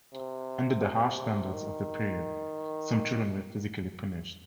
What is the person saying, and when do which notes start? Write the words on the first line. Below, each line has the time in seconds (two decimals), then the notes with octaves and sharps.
Under the harsh standards of the period, some children were physically punished.
0.14 C3
1.53 D#3